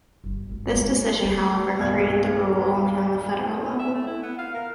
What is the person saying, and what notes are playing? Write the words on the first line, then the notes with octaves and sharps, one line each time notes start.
This decision, however, created the rule only on the federal level.
G1
G#1
G#3
A3
D#1 B1 G2 G#5 G#6
C#4
E5
A3
E4
B3
F5
A#4